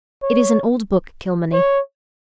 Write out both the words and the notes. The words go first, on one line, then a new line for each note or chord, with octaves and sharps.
It is an old book, Kilmeny.
C#5
C#5